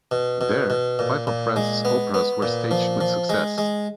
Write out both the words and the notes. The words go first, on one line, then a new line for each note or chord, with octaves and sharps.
There, five of Franz's operas were staged with success.
B2
B2
B2
A#2
A#2
G#3
B3
B3
A#2
F3
F3
G#3
G#3